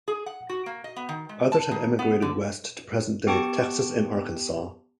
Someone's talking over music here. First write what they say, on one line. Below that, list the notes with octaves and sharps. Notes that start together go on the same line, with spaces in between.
Others had emigrated west to present-day Texas and Arkansas.
G#4
F#5
F#4
A#3
D#5
B3
D#3
G#3
A5
D#3
B3
D3
B3 G4 G5 A5 C#6